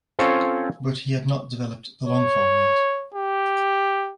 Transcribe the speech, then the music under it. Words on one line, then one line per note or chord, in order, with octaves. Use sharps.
But he had not developed the long form yet.
C4 C#4 F4 A4 C5 C#5
C#5
G4